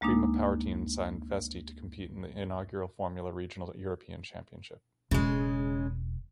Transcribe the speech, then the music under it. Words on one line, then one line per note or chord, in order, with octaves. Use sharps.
Prema Powerteam signed Vesti to compete in the inaugural Formula Regional European Championship.
D2 G#3 A#3 D4 D#4
E1 C#3 G#3